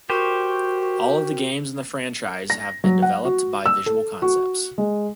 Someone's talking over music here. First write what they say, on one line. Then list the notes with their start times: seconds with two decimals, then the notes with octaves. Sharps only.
All of the games in the franchise have been developed by Visual Concepts.
0.10 F#4 G4 A#4 C5 C#6
2.50 A#6
2.84 F#3
3.02 F#5
3.25 F#4
3.66 E6
3.86 A4
4.22 F#4
4.78 G#3